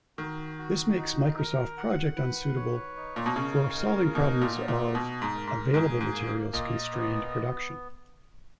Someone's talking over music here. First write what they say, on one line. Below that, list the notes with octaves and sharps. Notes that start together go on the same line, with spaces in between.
This makes Microsoft Project unsuitable for solving problems of available materials constrained production.
D#3 F#4
F#4
D#4
A#4
F#5
B4
C#5
D#4
A#2
B2
C#3 A#4
A#4
B2 D#4
A#2
B3
A#2
B2 D#4
G#2
A#4
G#2
G#2 G#4
G#2
A#3
A#2 D#5
B3